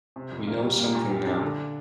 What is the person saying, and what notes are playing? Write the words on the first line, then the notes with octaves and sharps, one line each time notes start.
We know something now.
C3
F2
A#3
G3
A#3
A#2
G4
D4
D3